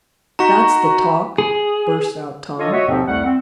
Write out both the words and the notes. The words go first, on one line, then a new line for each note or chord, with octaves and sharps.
"That's the talk!" burst out Tom.
D#4 F#4 A#5 C#6 B6
G#4
D4 F4 A4 C#5 D#5
F#4 C#5 D#5 E5
D#2 G#2 B2 D3 F3 C4
C2 F2 G3 A3 F#5
C4